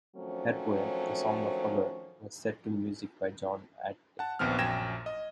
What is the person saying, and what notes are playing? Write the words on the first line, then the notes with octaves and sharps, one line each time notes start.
Her poem "The Song of Hagar" was set to music by John Antill.
D#3 F3 F#3 A3 C4 C#4
F#5 A5
A#1 D#2 B3 C4 F6
A#1 F#2 G5 G#6 A#6 E7
D#5